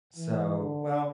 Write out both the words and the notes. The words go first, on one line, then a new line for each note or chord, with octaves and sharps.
so, well,
E3
D3